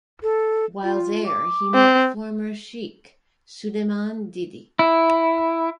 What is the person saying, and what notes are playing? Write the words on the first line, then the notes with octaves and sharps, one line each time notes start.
While there, he met former sheikh, Suleiman Dede.
A4
F4
D6
C4
E4